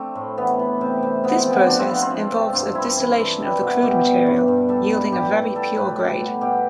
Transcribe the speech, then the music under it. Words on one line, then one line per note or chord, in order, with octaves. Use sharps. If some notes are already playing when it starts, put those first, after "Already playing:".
This process involves a distillation of the crude material yielding a very pure grade.
Already playing: A3 C4 D4
A2
E3 B3
E3
C3
C3
C3 B3
C4
F3 B3
F3 D4
C4
F3 B3
C4
F3
C3
G2 C4
G2 E4
E3
E3
G3
B2
B2 G4
G3
G2
G2
G3 A4
G3
A2 G4
A2
G3 A4
A2 B4
G3 A4
B2
B2 G4